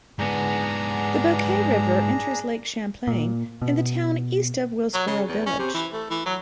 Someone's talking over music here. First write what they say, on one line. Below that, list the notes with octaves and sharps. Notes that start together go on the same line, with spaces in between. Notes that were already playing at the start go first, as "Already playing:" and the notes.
The Boquet River enters Lake Champlain in the town east of Willsboro village.
G#2 B3 D4 G#4 A#5
A#2
B2
F#3
C#3
E2
C#4
C3
E3
A3
E3
F#3